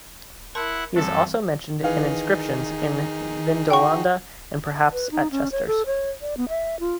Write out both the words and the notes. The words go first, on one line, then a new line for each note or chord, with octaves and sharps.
He is also mentioned in inscriptions in Vindolanda and perhaps at Chesters.
E4 A#4 F#5 A5 C6
F#2 E3 G3 C4 A4
D#3 E3 D#4 G#4 F5
F#4 G5 C#6
B4
D#4
C#4
C#5
A4
C#5
D5
B3
E5
F4